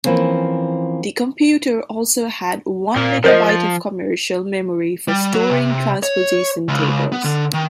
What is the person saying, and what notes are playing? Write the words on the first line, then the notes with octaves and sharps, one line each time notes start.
The computer also had one megabyte of commercial memory for storing transposition tables.
E3 F3 A#3 C4 C#4
A#2 A#3
F3 A#4 C5 D#5
A6
G3
F#3
C3
C#5
C#2
B3
D3
D#3